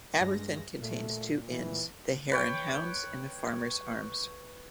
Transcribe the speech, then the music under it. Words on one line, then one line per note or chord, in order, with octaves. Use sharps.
Aberthin contains two inns; The Hare and Hounds and The Farmers Arms.
G2 G#3 A#6
A#2 A3
E3
B4 C#5 G5